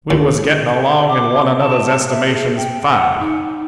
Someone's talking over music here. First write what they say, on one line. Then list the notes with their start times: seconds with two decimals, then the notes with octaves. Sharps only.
We was getting along in one another's estimations fine.
0.11 D#2
1.09 D6
1.60 A5
2.09 E5
2.28 G#4
2.57 G5
2.91 F#5
3.19 D#4